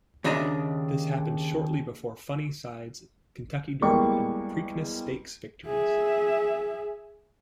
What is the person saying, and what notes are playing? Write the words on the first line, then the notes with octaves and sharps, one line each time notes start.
This happened shortly before Funny Cide's Kentucky Derby and Preakness Stakes victories.
D#2 C#3 D4 D#5 E5 A#5
E2 G3 G#3 A#3 C#6
G#4 E5